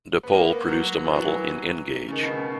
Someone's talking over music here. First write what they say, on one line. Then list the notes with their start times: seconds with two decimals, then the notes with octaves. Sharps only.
Dapol produce a model in N gauge.
0.23 B3
0.33 A#3
0.41 B3
0.50 A#3
0.59 B3
0.68 F#3
1.05 E3
1.15 F#3
1.27 E3
2.08 C#3
2.12 D#3
2.23 B2
2.31 C#3